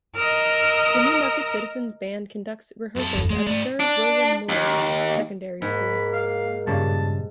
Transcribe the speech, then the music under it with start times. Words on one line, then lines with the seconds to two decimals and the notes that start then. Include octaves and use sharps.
The Newmarket Citizens' Band conducts rehearsals at Sir William Mulock Secondary School.
0.16 A#4 D#5 A#5 E6
2.96 F#2 A4
3.15 F#1 E2 G2
3.30 G#3 A3
3.47 G#2 A3 D5
3.80 D4
4.49 D#2
5.62 G#2 A#3 B5
6.13 F5
6.67 G2 A#2 C#3 A5